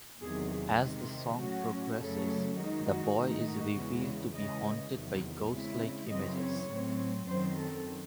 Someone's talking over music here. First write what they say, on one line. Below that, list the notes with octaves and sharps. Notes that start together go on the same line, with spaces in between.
As the song progresses, the boy is revealed to be haunted by ghost-like images.
E2 C3 D#3 F#3 G#4
G#4
C3 D#3 G#3 C4
A2 F#3 C#4 F#4
F#2 C#3 F#3 A3 C#4 A4
D#3 G#3 D#4 F#4
F#4
G#2 D#3 A3 D#4
F#4
E2 C#3 E3 G#3
C#3 E3 G#3 D#5
E2 C3 D#3 F#3
C#3 G#3 C4 E4
F#2 C#3 E3 C4 D#5
C#5
A2 F#3 C4
F#2 D#3 F#3 C4 C5
A4